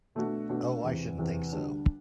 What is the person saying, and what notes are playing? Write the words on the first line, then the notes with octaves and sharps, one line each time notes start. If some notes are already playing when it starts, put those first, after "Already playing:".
Oh, I shouldn't think so.
B2 A3 D4 F#4
B2 A3 D4 F#4
E2 C3 E3
E2 C3 E3
D2 D3 G3 D4